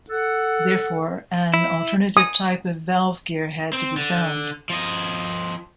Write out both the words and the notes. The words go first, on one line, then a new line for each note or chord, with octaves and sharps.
Therefore, an alternative type of valve gear had to be found.
A4 F#5
E4
D#6
C4
D3
F3 D#5